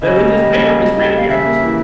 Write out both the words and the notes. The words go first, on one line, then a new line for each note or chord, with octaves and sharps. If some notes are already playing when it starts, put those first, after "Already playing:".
That was his parent his grandparents.
C#3 D#5
A#3
G3
C#3
A#3
A#3
G3
G3 F5
C#3 E5
A#3
E3